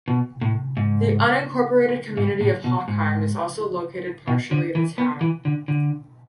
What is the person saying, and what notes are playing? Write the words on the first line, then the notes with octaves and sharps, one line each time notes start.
The unincorporated community of Hochheim is also located partially in the town.
B2
A2
G#2
G#2
A2
B2
G#2
B2
D3
E3
B3
E3
D3
D3